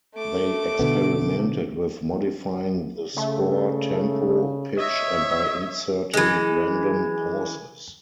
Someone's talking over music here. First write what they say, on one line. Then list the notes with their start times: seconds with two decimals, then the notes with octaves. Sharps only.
They experimented with modifying the score, tempo, pitch and by inserting random pauses.
0.15 A3 D6
0.79 B2 D3 B3
3.17 C#3 A3
4.77 C#5 D#5 E5
6.14 E3 G#3